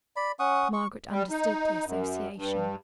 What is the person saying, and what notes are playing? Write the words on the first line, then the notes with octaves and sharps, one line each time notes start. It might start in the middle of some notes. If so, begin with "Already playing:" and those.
Margaret understood the association.
D5 B5
C#4 F#5 C#6 D#6
C#6
G3
D#4
F#2
G2